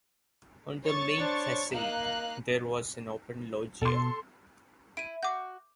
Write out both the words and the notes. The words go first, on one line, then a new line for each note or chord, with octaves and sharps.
On the main facade there was an open loggia.
C#5 C#6 A6
D4 C5
A#3 D#4 F5 F#6
B2 A4 C6
E4 D7 D#7
F#4 D6 G6